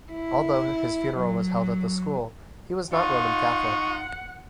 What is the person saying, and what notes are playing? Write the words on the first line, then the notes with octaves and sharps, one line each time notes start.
Although his funeral was held at the school, he was not Roman Catholic.
E4
F#3
D#4 F4 F#5 C#6